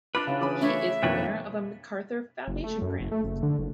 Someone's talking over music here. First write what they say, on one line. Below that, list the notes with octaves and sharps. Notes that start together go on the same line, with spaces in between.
He is the winner of a MacArthur Foundation grant.
D4 F4 B4 B5 D6 F#6
C#3 C#4 E4 F5
E3 C#4 G#4 B5 D6
A3 C#5 E5
F2 B2 D#3 A#3 D4 B4 C#5
F#1
A3
F#2
F#1
A3
F#1
D3
F#1